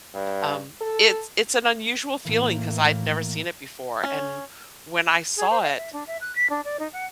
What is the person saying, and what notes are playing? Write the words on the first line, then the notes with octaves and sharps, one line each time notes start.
Um, it's it's an unusual feeling 'cause I'd never seen it before. And when I saw it,
G2
A4
A2 E3 A#3
C#4
G#4
C5
F5
E5
D4
E5
F#6
B6
D4
D5
D#4
F#5